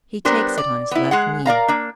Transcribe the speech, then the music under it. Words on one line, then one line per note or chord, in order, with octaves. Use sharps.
He takes it on his left knee.
G3 B3 D4 A#4 C5
D5
B3 E4
G#3 G#4 F#5
A#4 D5 F5 A#5
A#3 D4